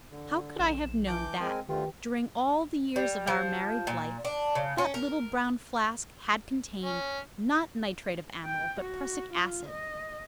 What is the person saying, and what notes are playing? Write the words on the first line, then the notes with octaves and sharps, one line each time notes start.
How could I have known that, during all the years of our married life, that little brown flask had contained, not nitrate of amyl, but prussic acid?
D3
A#1 E7
E3 A5 D6 G6 D7
G#3 C4 A#4 G#5
D2 D3 D#3 A3 F4 G4 B4 G5
G3
F3
A#2
D4
C#3
C#4
A#4
C#4
G5
F#4
F4
D#5